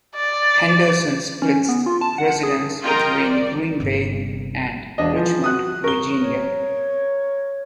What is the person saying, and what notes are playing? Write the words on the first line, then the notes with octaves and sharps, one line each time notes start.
Henderson splits residence between Green Bay and Richmond, Virginia.
D5
C#4
B3
F4
A5
F#5
G#4
F4 A#4 D#5 G5 A#5
D5
G1 C3
E1 D4 D#5
E3 F3
F#4 D#6 F#6
A#4 C#6 G7
C#5